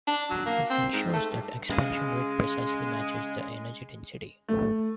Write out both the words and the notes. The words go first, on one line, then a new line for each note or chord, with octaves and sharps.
This ensures that expansion rate precisely matches the energy density.
D4
F#3
A#3
C4
G#2
A3
G2
C#3 G#3
A3